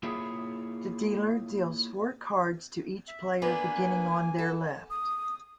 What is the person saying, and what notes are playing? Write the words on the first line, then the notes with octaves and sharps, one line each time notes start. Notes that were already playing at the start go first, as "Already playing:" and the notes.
The dealer deals four cards to each player, beginning on their left.
A#3 E4 F4 G#4 C#5
E5
A#3 B3 D4 B4 G#5
B3 A4
D#6